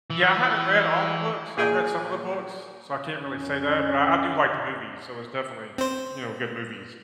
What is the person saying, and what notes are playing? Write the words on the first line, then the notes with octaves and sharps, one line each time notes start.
Yeah, I haven't read all the books. I've read some of the books, so I can't really say that, but I I do like the movies, so it's definitely, you know, good movies.
E3
A#2 G#4 G5 G#5
F2 C#4
C4 C5